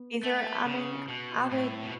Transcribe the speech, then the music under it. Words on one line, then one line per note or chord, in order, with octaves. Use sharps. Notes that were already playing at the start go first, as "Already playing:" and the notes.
Either I mean, I I would
Already playing: B3
A3
C#3
B2
A2
B2